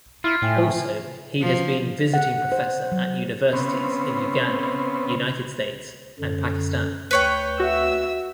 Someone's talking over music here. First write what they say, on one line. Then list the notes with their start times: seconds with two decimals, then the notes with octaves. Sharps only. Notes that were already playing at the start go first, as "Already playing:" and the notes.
Also, he has been visiting professor at universities in Uganda, United States and Pakistan.
0.24 E4 F4
0.42 A2 E5 G5 G#5
1.40 F3
2.14 F#5
2.52 C5
2.92 F#3
3.53 C#3 B3 C4
6.19 F#2 D3
7.11 D2 B4 C#5 G5
7.60 F#4 E5 E6